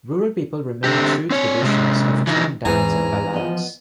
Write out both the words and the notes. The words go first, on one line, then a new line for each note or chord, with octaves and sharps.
Rural peoples remained true to traditions of chain dance and ballads.
D3 C4 G4
C4 C#5
C3 G#3
E3 F3 D#4
E2 G#2 E3 C4 G#4 G#5 A#5
F3 B3 D#5